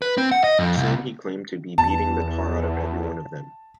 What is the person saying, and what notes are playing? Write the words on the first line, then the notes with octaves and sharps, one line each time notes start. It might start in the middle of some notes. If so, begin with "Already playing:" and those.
Soon he claimed to be beating the tar out of every one of them.
B4
C4
F#5
D#5
F2
C2
E2 A5